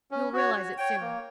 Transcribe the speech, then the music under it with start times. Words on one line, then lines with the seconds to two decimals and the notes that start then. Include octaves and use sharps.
You will realize it soon.
0.11 C#4
0.33 F#4 C#5
0.55 F#4
0.78 C#5 G5
1.01 A#3